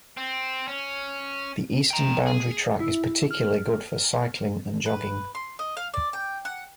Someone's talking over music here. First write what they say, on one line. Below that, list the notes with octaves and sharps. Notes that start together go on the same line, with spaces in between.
The eastern boundary track is particularly good for cycling and jogging.
C4
C#4
G5 A#5
G#4
E4
F6
B4
C6
D#5
F5
D5
G5
F#5